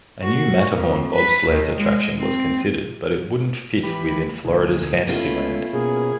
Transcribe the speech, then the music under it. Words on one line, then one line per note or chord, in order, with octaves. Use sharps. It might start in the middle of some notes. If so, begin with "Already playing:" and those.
A new Matterhorn Bobsleds attraction was considered, but it wouldn't fit within Florida's Fantasyland.
F#4
F2
B4
D#2
G#3
C4
E3 G4 B5
D2 A#2 G#4
A3 B3 C#4 E4 F4
B2 A#3 C#4 G#4